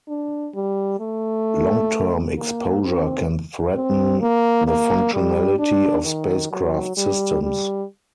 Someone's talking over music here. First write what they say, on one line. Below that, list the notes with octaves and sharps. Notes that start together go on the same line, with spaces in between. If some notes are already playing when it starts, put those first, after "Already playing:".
Long term exposure can threaten the functionality of spacecraft systems.
D4
G3
A3
A#3
C4
C4
A#3
A#3
G3
D4
D#3
F#3
G3
G3